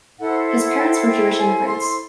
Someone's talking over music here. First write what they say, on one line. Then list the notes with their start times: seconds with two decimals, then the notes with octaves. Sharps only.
His parents were Jewish immigrants.
0.19 E4 A4 C5 F#5
0.63 F#5
0.77 G5
0.90 F#5
1.07 G5
1.38 G#5
1.67 C6